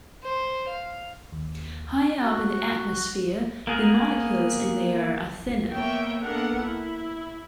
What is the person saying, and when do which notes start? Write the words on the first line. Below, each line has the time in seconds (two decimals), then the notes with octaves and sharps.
Higher up in the atmosphere, the molecules in the air are thinner.
0.23 C5
0.68 F5
1.33 D#2
2.21 F#4
3.67 A#3 B3 G#4 A#4
5.73 A#3 B3 C#5 E5 G5
6.20 A#3 B3 D4 A4 A#4 F#5
6.60 E4